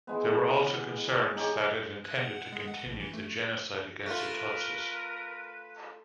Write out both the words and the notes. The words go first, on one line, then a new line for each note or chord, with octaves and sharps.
There were also concerns that it intended to continue the genocide against the Tutsis.
E3 G#3 B3
D#4 G4 G#4 C#5
F#6
F#5
F#5
G#3
F#5
A#1
E3
A3
A3 F4 A#4 B4